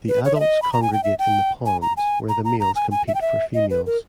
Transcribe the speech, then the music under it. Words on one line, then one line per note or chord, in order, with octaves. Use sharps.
The adults congregate in the ponds, where the males compete for females.
B4
C#5
E5
D#5
B5
A#5
G#5
G5
E5
G5
G#5
A#5
G#5
A#5
A#5
A#5
G#5
G#5
E5
G5
E5
D#5
B4
A#4